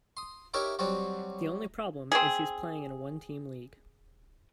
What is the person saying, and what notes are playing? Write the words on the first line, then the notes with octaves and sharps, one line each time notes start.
The only problem is he's playing in a one-team league.
C6 D#6
D#4 E4 G4 A#4 C#5 E5
F#3 G3 C4 F#4
C4 G#4